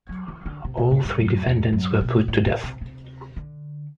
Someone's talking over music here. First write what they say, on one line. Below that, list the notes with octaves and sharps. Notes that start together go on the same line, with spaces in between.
All three defendants were put to death.
F#3
E3
D3
C3
B2
A2
G2
F#2
E2
F#2
B2
A2
A2
C3
C3
D3